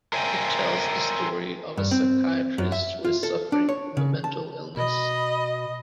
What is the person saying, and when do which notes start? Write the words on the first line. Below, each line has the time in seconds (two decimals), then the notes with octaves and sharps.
It tells the story of a psychiatrist who is suffering from a mental illness.
0.13 A#4 C5 C#5 E5 G5 G#5
1.77 G2
1.91 C4
2.58 F#2
2.72 E5
3.05 F4
3.23 A4
3.52 D4
3.69 C#5
3.97 C#3
4.24 A5
4.77 B2 D#5 B5